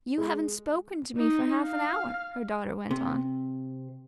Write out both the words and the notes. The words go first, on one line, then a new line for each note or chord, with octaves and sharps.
"You haven't spoken to me for half an hour," her daughter went on.
G#3
D#4
F5
C3